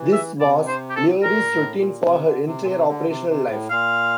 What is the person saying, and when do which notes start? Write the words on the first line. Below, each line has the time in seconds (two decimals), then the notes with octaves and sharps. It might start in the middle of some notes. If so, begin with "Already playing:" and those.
This was "Leary"s routine for her entire operational life.
Already playing: E3
0.13 E5
0.41 C3 D5
0.68 C5
0.90 G4
0.96 A4
1.23 A#2 A#4
1.51 A2
1.78 A#2
2.06 C3
2.26 D3
2.47 C3
2.63 A#2
2.67 C3
2.88 D3
3.09 C3
3.29 C3
3.50 A2
3.70 A#2 F5